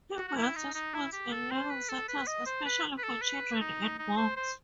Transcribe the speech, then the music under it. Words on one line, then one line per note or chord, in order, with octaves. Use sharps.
He built schools and learning centers especially for children and monks.
F#4
F#4
E4
D#4
D#4
E4
G4
A4
C5
B4
A4
B4
D#5
C5
B4
B4
A4
B4
D#4
D#4
C5
C5